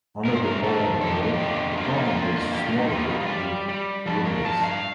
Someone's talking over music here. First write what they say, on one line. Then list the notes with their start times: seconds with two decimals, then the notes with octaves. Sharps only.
Under the old log the ground was smothered with woodlice.
0.25 G2 A#4
0.34 C5
0.42 A#4
0.63 D#3 A4
1.01 F2 A4
1.12 G4
1.23 F4
1.33 G4
1.39 D3
1.77 A#3 F4
1.92 D#4
2.05 F4
2.16 D3
2.53 D3 G4
2.67 F4
2.77 D#4
2.89 G3 F4
3.10 D#4
3.20 F4
3.30 G3 G4
3.68 G3
4.06 F3 A4
4.25 A#4
4.44 G2 A5
4.64 F5